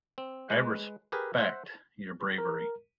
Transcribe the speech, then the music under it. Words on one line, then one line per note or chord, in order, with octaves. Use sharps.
I respect your bravery.
C4
G#3 B4
G4 G#4 A#4 B4 G#5
C5 E5 F#5
A#4